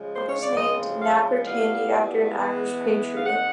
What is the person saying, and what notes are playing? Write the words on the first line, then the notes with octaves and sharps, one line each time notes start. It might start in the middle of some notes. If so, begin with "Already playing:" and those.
The club was named Napper Tandy after an Irish patriot.
Already playing: C#3 F3 G#3
C5
C#5
D5
C#3 F3 G#3 C4 D#5
F5
A#2 G3 B3 E4 F5
E3 G#3 B3 E4
F5
D#3 G#3 C4 F#5